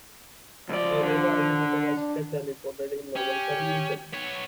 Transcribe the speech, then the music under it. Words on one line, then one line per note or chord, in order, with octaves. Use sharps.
The radar altimeter was checked and reported in normal condition.
C#2 F3 D5
D3
D4
C#4 G4
B3 C#5